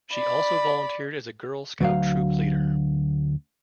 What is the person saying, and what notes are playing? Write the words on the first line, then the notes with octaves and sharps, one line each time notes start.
She also volunteered as a girl scout troop leader.
D5 B5
D2 F#3 F5